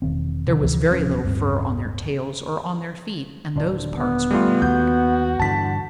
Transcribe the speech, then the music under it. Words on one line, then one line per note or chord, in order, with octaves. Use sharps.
There was very little fur on their tails or on their feet, and those parts were black.
E1 D#3 C4
C3 D#3
D2 C3 E3 F3
D1 F3 C#4
D1 G2 C4
D#1 D3 D4
B3
G3 A3 F4
D#2 F#4 G6
G2 D3 E3 A5 B6